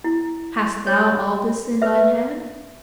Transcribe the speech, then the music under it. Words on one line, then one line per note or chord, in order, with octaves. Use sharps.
Hast thou all this in thine head?
E4
C#5
B4 E5